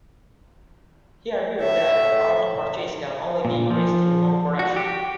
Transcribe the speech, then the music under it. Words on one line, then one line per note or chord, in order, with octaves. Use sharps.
He argued that the power to purchase can only be increased through more production.
A2 E5
A#2
F3
F#4
G4